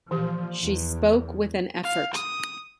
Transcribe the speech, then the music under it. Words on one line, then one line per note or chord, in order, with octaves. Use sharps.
She spoke with an effort.
A#2 E3 F3 G4
E2
F5
D#6